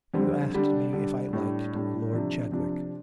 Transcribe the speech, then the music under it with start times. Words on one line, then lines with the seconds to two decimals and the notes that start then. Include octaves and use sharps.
You asked me if I liked Lord Chadwick.
0.14 F2 D3 G3 C4
0.54 D3 G3 D4
0.93 D3 G3 D4
1.33 A2 G3 D4
1.73 A2 G3 D4
2.13 C3 F3 D4
2.52 C3 F3 D4